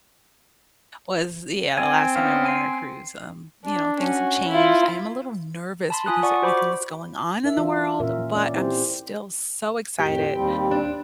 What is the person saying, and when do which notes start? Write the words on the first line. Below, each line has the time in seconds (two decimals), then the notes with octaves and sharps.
was, yeah, the last time I went on a cruise, um, you know, things have changed. I am a little nervous because everything that's going on in the world, but I'm still so excited
1.77 C4 G#5
2.16 B3 C#4 F5
2.45 G#5 C6
3.65 D4
4.00 C#4 F#4
4.48 E4 F4
5.90 A5 B5 C6
6.06 F4 G#5 D#6 F#6
6.23 D5 F#5 C#6
6.42 F#4 C5 B5 D6
7.44 D#4 A#4 E5
7.57 E3 C#4 F4
8.00 A#2 C#4 A#4 E5
8.35 C#4 D5
8.54 C4 E4 G4 C5
9.99 F2 A2 G4
10.33 D#2 G3 C4
10.71 D4